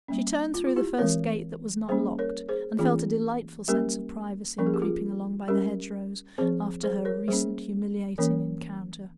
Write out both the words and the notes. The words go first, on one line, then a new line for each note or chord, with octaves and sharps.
She turned through the first gate that was not locked, and felt a delightful sense of privacy in creeping along by the hedgerows, after her recent humiliating encounter.
G3 A#3 C#4
F4
F4
E4 G4
E3 G#3 C4 A#4 C#5
G3 A#3 C#4 G#4 C5
A#4 C#5
G#4 C5
E3 A#3 C#4 F4 G#4
G3 A#3 C#4 G4 A#4
F3 A#3 C#4 A#4
G#4
G4
F4 G#4
G3 C#4 G4 A#4
F3 C4 G#4 C5
G#4 C5
A#4 C#5
G3 A#3 C#4 G#4 C5
E3 A#3 C#4 A#4 C#5